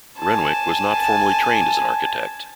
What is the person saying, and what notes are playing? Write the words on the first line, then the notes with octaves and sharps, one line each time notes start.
Renwick was not formally trained as an architect.
G#5 A5